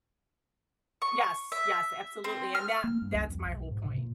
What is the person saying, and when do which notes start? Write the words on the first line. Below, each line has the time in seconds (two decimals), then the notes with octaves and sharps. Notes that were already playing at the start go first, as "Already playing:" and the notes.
Yes, yes, absolutely, and that that's my whole point.
1.02 C#6
1.52 E5
2.24 C4
2.55 F6
2.84 A#3
3.02 G2
3.14 C#2
3.29 F2
3.45 B1
3.71 G#2
3.85 C3
3.97 A#2